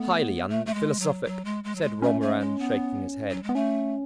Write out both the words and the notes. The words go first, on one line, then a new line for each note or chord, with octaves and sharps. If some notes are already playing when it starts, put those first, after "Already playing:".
"Highly unphilosophic," said Romarin, shaking his head.
Already playing: A3 B3
A3
A3
G#3
F#3
F#3
G#3
G#3
F#3
G#3
A3 C#4
A3
G#3
B3
F#3
G#3
B3
A3 C#4